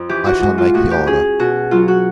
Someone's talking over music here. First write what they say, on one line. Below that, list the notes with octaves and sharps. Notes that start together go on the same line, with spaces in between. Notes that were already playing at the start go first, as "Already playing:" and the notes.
I shall make the order.
Already playing: F2
E3 G4
F#4
G#3 F#4
F4
A2 F#4
G4
C#4 G#4
B2 F#4
F#3 F4
F#4